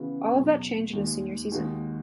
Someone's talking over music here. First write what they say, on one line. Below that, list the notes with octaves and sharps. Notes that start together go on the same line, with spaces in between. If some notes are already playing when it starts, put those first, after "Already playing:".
All of that changed in his senior season.
Already playing: C#3 E3 B3 F#4
E2 B2 F#3
D#2 D#3 G#3
D#2 D#3 G#3 D#4 F#4